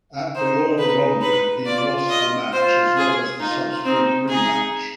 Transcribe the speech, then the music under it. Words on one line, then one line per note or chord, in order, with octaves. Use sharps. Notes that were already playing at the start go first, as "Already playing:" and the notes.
At the Royal Rumble, he lost the match, as well as a subsequent rematch.
D#4 C5
D#4 B4
B4
F4 D5
D#5
F4 C5
G#4
D#4 F4
C4 D#4
D#4 G#4